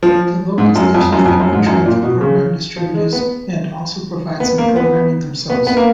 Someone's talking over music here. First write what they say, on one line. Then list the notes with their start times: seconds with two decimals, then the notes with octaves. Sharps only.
The local stations then contract with program distributors and also provide some programming themselves.
0.03 F3
0.58 G#2
0.76 F#2
0.94 F2
1.13 F#2
1.26 F2
1.40 F#2
1.53 G#2
1.67 F#2
1.86 A#2
2.03 B2
2.21 C#3
2.76 F3
2.94 G#3
3.13 B3
4.40 B3
4.58 A#3
4.76 B3
5.50 B3
5.67 B3
5.77 A#3